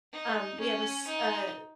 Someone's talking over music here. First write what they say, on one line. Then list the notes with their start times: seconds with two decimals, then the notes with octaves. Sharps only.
Um, we have a s a
0.13 D#4
0.60 C#4
1.06 D#4